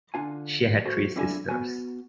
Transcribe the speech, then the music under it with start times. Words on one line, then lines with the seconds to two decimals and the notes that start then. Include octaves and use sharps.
She had three sisters.
0.14 D3 D4 F4 G#5
0.86 F#4 A4 C5
1.16 C4 D4 E4 F4 A4 G#5
1.49 B3 F#4 G#5